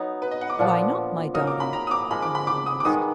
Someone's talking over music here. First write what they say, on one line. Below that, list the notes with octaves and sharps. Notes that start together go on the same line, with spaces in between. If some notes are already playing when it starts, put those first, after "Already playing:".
"Why not, my darling?" her mother asked.
Already playing: F#3 B3 D#4
B4
D#5
F#5
D6
A#2 F3 B3 D4
F#3 A#3 D#4 A#4 D#6
D6
B5
A#5
D#6
D6
F3 G#3 D#4 A#4 B5
D6
B5
D6
D#6
D6
D#3 G#3 B3 D#6